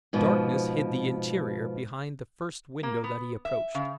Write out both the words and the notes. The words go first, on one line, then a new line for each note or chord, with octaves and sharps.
Darkness hid the interior behind the first window that he approached.
G#2 B2 F3
A#3
B3
E5
C#3